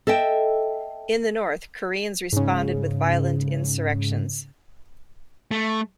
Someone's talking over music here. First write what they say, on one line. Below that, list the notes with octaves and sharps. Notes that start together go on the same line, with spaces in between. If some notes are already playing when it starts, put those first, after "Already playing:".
In the north, Koreans responded with violent insurrections.
A4 D#5 E5 G5
G#2 C#3
A3